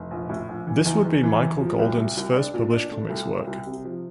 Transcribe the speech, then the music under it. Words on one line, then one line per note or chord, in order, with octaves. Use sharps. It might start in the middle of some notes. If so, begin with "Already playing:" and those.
This would be Michael Golden's first published comics work.
Already playing: F1
A#1
A2
A#1
E3
E2
E2
E3
E2
F3
C2
C2
C2
D4
A#2
D4
A3
C2
C2
C2
C3
F3